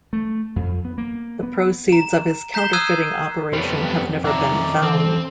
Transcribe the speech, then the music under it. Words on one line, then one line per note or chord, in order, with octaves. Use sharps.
The proceeds of his counterfeiting operation have never been found.
A3
F2
B3
A#3
B3
A#5 E7
A#5 G6 B6 C7 E7 G7
D#6 E6 F#6 G#6 C7 D#7
F2 G3 B3 C5 C#5
D#3 D5 E5 F#5 A#5
D#2 E3 C4 A4